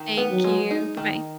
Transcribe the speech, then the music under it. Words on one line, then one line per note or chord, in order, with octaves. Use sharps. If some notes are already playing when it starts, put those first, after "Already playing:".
Thank you. Bye bye.
Already playing: D#3
B3
F#3
G#3
D#4
D#3